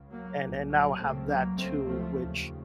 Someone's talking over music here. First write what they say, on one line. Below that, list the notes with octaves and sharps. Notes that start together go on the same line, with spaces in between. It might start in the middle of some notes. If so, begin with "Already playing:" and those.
and and now I have that too, which
Already playing: C#2 C#3
F#3 A#3
C2 A#2
F#3 A#3
C#2 C#3 A3 C4
F#3 A#3
C#2 C#3 A3 C4
F3 A3
D#2 C#3